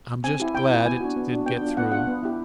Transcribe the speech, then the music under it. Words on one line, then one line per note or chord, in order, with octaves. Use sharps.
"I'm just glad it did get through."
C4 G#5
E4 G4
C4 G5
E4 G4
B3 G#5
D4 F#4
B3
D4 F#4
B3 G5
D4 F4
B3 F#5
D4 F4 F#5
B3
E4 G4